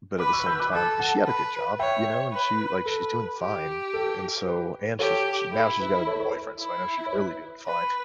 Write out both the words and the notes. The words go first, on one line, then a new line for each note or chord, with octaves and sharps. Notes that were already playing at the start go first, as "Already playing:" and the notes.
But, at the same time, she had a good job, you know, and she like, she's doing fine. And so and she's she's now she's got a new boyfriend, so I know she's really doing fine.
B4 B5 D6
C#6 E6
E6 G6
D6 F#6
A4 D6 F#6
F#5 A5
B4
C#5 E5 G5
B4
A4 B4
G4
A4
B4
G4 A4 C#5
E4 A4
B4
A4 C#5
A4 C#5
B4
E4
C#5
B4
B4